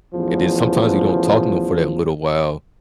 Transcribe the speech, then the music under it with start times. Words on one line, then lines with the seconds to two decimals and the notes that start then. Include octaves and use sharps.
and then sometimes you don't talk to 'em for that little while,
0.14 A1 E2 F3